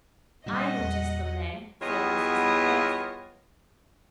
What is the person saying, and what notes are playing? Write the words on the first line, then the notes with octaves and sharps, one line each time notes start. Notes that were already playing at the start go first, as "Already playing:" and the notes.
"I noticed them, then," said Mrs. Lupex.
A#2 G3 D#5 F#5
E2
E2 G3 B3 F4 C#5 D#5